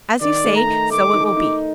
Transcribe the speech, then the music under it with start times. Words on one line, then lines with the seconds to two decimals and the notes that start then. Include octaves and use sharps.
As you say, so it will be.
0.21 D#3 D5
0.44 A3
0.56 A#5
0.67 D#4
0.90 A3 D6
1.14 D#4
1.25 D6
1.37 D#4